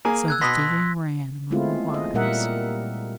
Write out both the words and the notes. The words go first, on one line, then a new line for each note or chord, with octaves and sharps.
So the feeling ran among the wives.
A#3 G#4 G#5
E6 F#6 G#6
B2 C6 D#6 A#6 B6
G#3 A3 B3 C4 E4 F4
D#5
A#2 G3 A#3 A#4 E5 F#5